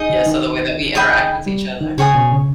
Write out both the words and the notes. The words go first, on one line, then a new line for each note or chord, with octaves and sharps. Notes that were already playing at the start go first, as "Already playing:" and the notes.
Yeah, so the way that we interact with each other.
Already playing: D#4 G#4 D#5
D#3
D#3
G#4 D#5 G5 B5
G3
D#3
C#3 G#4 C#5 G#5 D#6
B2
C#3